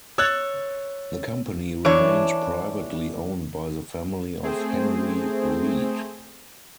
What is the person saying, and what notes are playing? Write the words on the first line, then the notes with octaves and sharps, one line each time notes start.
The company remained privately owned by the family of Henry Reed.
C#5 E6 F#6 A6
E3 D4 C#5
A3 C4 G#4 C5